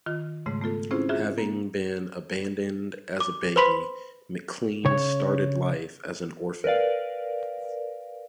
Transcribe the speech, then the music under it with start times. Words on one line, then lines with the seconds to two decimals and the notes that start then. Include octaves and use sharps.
Having been abandoned as a baby, McClean started life as an orphan.
0.06 D#3 F4
0.46 G#2 C#3 G#3 A3
0.62 A3 B3 F4 A4
0.91 C4 C#4 E4 F4 G#4 C5
1.09 F4 F#4 G#4 E5
1.38 A#3
3.20 D6
3.56 B4 C5 B5 C6 B6
4.85 C#3 C#5
6.64 A#4 B4 D5 F5